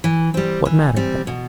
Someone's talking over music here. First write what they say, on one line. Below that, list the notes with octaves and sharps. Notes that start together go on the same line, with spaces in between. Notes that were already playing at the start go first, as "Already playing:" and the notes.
What mattered that?
E3
G3 C4
E3
G3 C4
B2